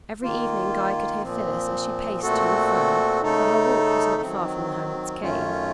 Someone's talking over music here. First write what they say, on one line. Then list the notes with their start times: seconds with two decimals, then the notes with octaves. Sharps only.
Every evening Guy could hear Phyllis as she paced to and fro, for her walk was not far from the hermit's cave.
0.23 D#3 A#3 F4
1.23 A#2 F3 C4
2.23 A#2 A3 C4 F#4 A4
3.22 C#3 A3 D#4 A4
4.22 D#3 F#3 C4
5.21 F#2 D#3 A3 C#4 F4